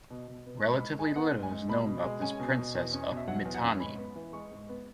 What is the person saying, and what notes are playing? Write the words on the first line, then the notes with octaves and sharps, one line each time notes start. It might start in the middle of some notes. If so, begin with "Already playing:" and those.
Relatively little is known about this princess of Mitanni.
B2
B2
B3
G#2 C#6
G#2 B5
G#3 G#5
B3 F#5
G#2
G#5
G#2
B2 B5
B2
G#3
C#4 G#5
B2
B2
E2
C#4
B2
E5
F#3 F#5
E2
F#5
C#4
G#2 B5
B3
E3
G#3 C#6
G#2
B3